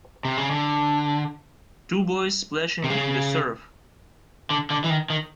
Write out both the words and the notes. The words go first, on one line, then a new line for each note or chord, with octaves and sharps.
Two boys splashing in the surf.
C3
C#3
D3
C3
C#3
D3
D3
E3
D#3
D#3